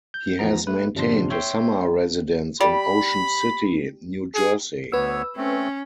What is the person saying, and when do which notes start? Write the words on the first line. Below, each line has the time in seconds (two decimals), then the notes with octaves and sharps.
He has maintained a summer residence in Ocean City, New Jersey.
0.14 G6
0.39 E2 F3 B3 A#5
0.67 A3 B4
0.95 G1 C3 F3 D4 C6
1.30 C#5 E5 G5 C6
2.60 G3 B5
4.35 G#4
4.92 D2 B3 B4 C#5 E6
5.37 A3 C4 C#4